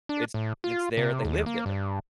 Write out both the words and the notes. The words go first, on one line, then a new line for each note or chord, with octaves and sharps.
It's it's their they live there.
D4
A2
F4
C3
D#2
A#3
G2